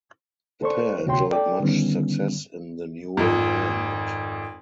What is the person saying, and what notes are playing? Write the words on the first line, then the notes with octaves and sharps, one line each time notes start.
The pair enjoyed much success in the new environment.
A4 C5 D5 C#6
D2 C3 F#4 C#5 G5 C6
A4 D5 G5 D6
D3 D#3 G3 B3 C#4
G#1 F2